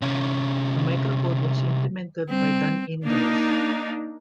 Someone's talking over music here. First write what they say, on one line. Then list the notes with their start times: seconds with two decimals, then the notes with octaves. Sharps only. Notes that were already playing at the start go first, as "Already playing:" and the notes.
The microcode was implemented by Dan Ingalls.
0.02 C2 C#4
2.30 G3 C4
3.05 A#3 D4 D#4